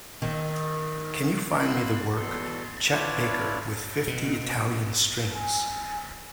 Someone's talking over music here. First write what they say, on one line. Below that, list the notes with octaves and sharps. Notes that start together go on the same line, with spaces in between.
Can you find me the work, Chet Baker with Fifty Italian Strings?
D#3
A#3 B5 C6 E6 F#6
E2 B2 A4 C6
D4 E4 F4 B4 C#5 D5
B2
G#5